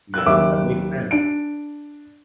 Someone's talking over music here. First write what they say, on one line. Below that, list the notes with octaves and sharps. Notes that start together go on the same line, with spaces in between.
Yeah. That makes sense.
E6 F#6
F#1 D#2 E5 D6
D4 D7